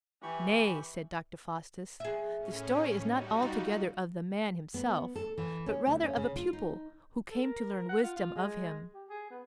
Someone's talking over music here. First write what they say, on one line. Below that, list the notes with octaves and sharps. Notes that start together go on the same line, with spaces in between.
"Nay," said Dr. Faustus, "the story is not altogether of the man himself, but rather of a pupil who came to learn wisdom of him."
E3 G4 G#5 B5 C#6
G#4 E5
A2 C#4
G3 D#4 F#4
F4
B3
A4
E3
C#4
D2
C#4
C#3
F4
D#4
A4
A#4
F#5
F4
F4
G#3
G4
G#4
B3